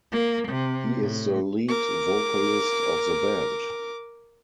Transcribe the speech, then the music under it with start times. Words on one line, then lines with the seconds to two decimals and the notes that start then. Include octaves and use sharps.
He is the lead vocalist of the band.
0.12 A#3
0.48 C3
1.00 A2
1.68 A#4 D6